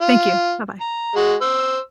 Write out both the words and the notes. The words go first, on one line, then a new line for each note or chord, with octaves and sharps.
Thank you. Bye-bye.
F4
A#5
G#3 F#4
C5 E6